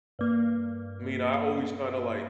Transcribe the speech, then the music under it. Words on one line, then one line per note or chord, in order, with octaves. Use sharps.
I mean, I always kinda, like
G2 A#3